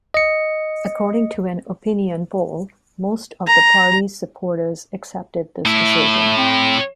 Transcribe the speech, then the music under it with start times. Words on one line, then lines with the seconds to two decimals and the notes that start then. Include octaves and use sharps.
According to an opinion poll, most of the party's supporters accepted this decision.
0.14 D#5 C#7
3.47 A#5
5.65 A2 A3 E4
6.37 C4